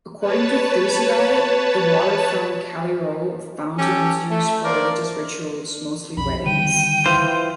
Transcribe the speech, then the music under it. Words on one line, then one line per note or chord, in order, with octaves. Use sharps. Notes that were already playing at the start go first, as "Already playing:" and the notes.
According to Thucydide, the water from Callirhoe fountain was used for religious rituals, mostly weddings.
B4 C#5 A5
C#4 G4 A4
A3
A#3 D4 A#4 C5 D5
B1 F2 B5
D3 D#3 G3 G5 D#7
E3 F4 C5